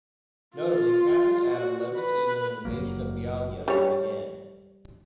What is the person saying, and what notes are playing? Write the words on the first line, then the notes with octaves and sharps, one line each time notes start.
Notably, Captain Atom led the team in an invasion of Bialya yet again.
F4
F#4
B4
F#1 F#2 F#3 A#3
G3 C#5